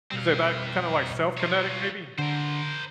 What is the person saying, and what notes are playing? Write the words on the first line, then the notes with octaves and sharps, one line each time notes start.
Isn't that kinda, like, self-kinetic maybe?
B2 G3 C4 F5
F4 C#5
D3 A#4 C5